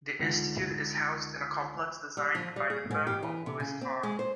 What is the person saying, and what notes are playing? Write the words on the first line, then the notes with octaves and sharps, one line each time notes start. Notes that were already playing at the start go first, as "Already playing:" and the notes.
The institute is housed in a complex designed by the firm of Louis Kahn.
C#2 D3 D#3 F4
G3
F3
G3
G#4
G#2
G4
E3
C3
C#3
C4
G#3
C5